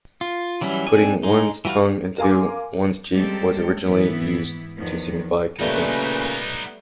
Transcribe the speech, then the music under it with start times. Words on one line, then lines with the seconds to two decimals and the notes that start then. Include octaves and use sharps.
Putting one's tongue into one's cheek was originally used to signify contempt.
0.21 F4
0.61 E3 F#3 G3 C#4 E4
0.87 C4 D4 G#5
1.23 G#3 D#4
1.65 E3 G3 F#4 B4 F5
2.18 A#4 F5 G#5 C6 D6
3.16 G3 G#3 A#3 C4 G4 A4
3.85 G#2 E3 B3 E4
4.77 E2 D#3 F3 B3
5.59 A#2 C#3 G3 A3 B3 D#4 B4